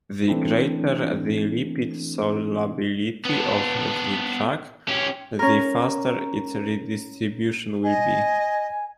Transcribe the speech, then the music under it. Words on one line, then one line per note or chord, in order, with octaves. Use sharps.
The greater the lipid solubility of the drug, the faster its redistribution will be.
E3 A3 C4 D4 E4
B3 D4
C#4 G4
C#4 A#4
D#5 G#5